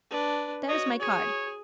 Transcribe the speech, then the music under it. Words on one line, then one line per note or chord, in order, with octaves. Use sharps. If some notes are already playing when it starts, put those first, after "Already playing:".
There's my card.
D4 B4
F#4 C#5 D#5
G#4 C#5